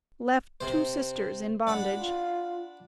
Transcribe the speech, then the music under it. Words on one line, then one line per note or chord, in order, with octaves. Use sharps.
Left two sisters in bondage.
C3 C5
D4 F#5 B5
F4